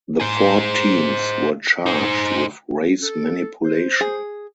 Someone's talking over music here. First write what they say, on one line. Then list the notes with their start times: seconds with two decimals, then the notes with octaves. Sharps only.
The four teams were charged with race manipulation.
0.20 G#4 C5
1.86 D#4 C5
3.03 A4
3.64 C5
4.01 G#4